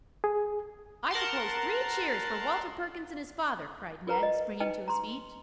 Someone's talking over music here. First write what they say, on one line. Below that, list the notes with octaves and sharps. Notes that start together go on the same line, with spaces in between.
"I propose three cheers for Walter Perkins and his father," cried Ned, springing to his feet.
G#4
A#4 F#5 A5 C6
F4 A#4 B4 A#5
D#5
D#4 B4 D#5 G5 A5
A#5 C6